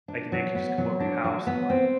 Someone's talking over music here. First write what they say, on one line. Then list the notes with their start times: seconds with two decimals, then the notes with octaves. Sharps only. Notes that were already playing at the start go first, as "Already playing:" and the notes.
like, they could, just, come over to your house and, like, l
0.08 D4
0.32 F#3
0.55 B3
0.78 F#3
1.00 D4
1.24 F#3
1.47 B3
1.70 C4